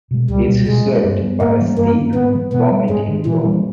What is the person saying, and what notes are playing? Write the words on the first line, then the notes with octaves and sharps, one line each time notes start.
It is served by a steep, well maintained road.
B2 G#3
C#2 G3
B2 G3
B2 G#3
G3 A#3 C#4
G2
G3 B3
G#2 A#3
E3 G3 C#4
G2 A#3
D#3 G#3 C#4
G#2 B3
E3 G#3 B3
B2 B3
G3 B3
G#2 G#3
D#3 G#3
A#2 E3
G3 A#3 C#4